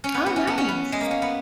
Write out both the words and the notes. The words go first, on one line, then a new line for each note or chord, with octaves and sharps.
Oh, nice.
C#4
B3
B3
C#4
B3
C#4
B3
G#3
A#3
C#4
B3